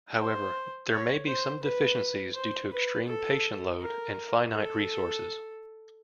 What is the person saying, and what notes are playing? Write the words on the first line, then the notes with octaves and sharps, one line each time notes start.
However, there may be some deficiencies due to extreme patient load and finite resources.
C5
C#5
C5
B4
C5
B4
A4
A#4
A4